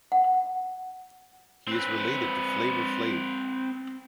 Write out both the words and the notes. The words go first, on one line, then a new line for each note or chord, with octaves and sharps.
He is related to Flavor Flav.
F#5
C4 B4